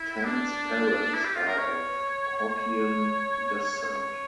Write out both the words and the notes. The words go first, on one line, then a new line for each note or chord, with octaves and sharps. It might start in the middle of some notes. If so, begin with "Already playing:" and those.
Tan's parents are of Hokkien descent.
Already playing: E4
D4
E4
G4
F4
A#4
C#5
C#5
C#5